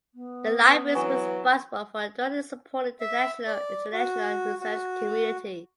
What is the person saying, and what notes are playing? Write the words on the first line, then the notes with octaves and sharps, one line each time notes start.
The library is responsible for directly supporting the national and international research community.
B3
E3 F#3 G#5 C#6
E5
D5
F#4
F#4